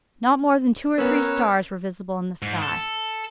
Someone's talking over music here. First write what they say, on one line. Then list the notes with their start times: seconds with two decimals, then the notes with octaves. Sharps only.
Not more than two or three stars were visible in the sky.
0.98 B3 C#4 A#4 B4 C#5 E6
2.42 G#2
2.62 A4